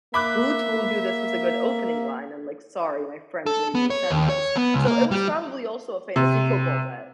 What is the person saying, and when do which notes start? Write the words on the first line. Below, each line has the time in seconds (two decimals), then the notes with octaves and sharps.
"Who told you this was a good opening line?" I'm like, "Sorry, my friends made me send this." So it was probably also a fantasy football bet.
0.14 A#3 E5 B5 D6 F#6
3.46 A4
3.75 B3
3.90 C#5
4.10 D#2
4.30 C#5
4.57 B3
4.74 C#2
4.87 A#3
5.11 G3
6.16 C3